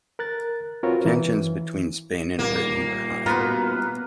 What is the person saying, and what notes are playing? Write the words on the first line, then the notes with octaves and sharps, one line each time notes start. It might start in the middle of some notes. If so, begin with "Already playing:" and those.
Tensions between Spain and Britain were high.
A#4 F#6 A6
C4 F4 F#4 A#4 B4 C#5
E3
A#2 G3 A#3
B3 F4 F#4 A#4 B4